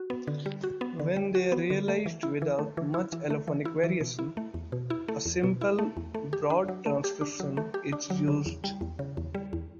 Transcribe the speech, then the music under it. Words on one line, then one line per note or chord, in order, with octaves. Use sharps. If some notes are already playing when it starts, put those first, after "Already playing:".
When they are realized without much allophonic variation, a simple "broad transcription" is used.
Already playing: F#4
B3
D3
G3
F#4
B3
D3
G3
F#4
B3
D3
A3
E3
E4
E3
A3
E3
E4
E3
A3
E3
E4
E3
B2
E4
A3
E2
B2
E4
A3
E2
B2
E4
A3
E2
A3
G4
D4
F#3
A3
G4
D4
F#3
A3
G4
D4
F#3
C#3
E2
G3
E2
C#3
E2
G3
E2